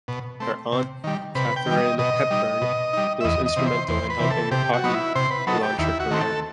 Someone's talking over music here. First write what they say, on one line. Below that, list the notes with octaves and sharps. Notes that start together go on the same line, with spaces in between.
Her aunt, Katharine Hepburn, was instrumental in helping Houghton launch her career.
B2
A3 C4
C3
D#3 G3
C3 B4
G5
D#3 G3
D#5
B2 D#5
G3 D#4
B2
G3 D#4
E5
E2 D#5
D#5
C3 E3
C5
E2 C5
B4
C3 E3
A4
C3 G4
F#4
F#3 B3 D#4
E4
C3 C5
B4
F#3 B3 D#4 A4
G4
D#2 E4
F#4
D#3 A3 C4
A4